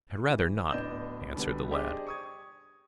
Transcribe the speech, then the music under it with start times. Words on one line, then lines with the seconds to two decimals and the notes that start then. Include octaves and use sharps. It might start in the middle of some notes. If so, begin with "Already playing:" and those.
"I had rather not," answered the lad.
0.30 E3
0.71 D1 B3 D4 D#5 G6 E7
1.34 B2 D3 G3 B3
1.71 D4 G4 G#4 C5 D5 D#5
2.07 C#6 D#6 G#6